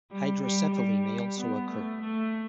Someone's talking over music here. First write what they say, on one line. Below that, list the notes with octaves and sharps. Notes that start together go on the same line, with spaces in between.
Hydrocephaly may also occur.
G3
G3
G3
B3
A3
A3